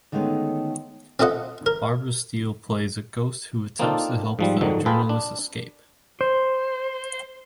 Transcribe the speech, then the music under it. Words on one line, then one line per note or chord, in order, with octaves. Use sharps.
Barbara Steele plays a ghost who attempts to help the journalist escape.
D3 D#3 G#3 A3 B3 C#4
C4 F4 A4 D#5 F#5
A#4
A#3 C4 D4 D#4 F4 A4
G#2 F3 G3
F2 G#2 D3 D#3 F#3
F4 G#4 A4 B4 G5
D4
C5